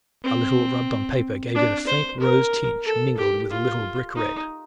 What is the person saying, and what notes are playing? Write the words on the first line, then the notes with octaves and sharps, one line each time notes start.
A little rubbed on paper gave it a faint rose tinge mingled with a little brick-red.
C4
D4
C5
A#4
A4
G4
F4
D#4